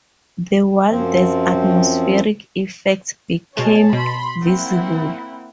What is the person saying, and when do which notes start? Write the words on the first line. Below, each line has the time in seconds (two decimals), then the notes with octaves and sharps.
The wildest atmospheric effects became visible.
0.89 F#2 F3 C4
3.57 B2 G#3 G#4 C#5 A5
3.93 B2 B5 C6
4.42 A#3 C4 E4 F#5